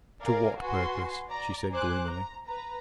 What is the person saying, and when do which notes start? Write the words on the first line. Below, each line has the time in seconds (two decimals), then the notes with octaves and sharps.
"To what purpose?" she said gloomily.
0.21 A#4 D5 F5 G#5
0.60 F#4 B4 G#5 C6
1.29 D5 A#5
1.71 C5 G#5 D6 F#6
2.07 A#5
2.47 B4 A#5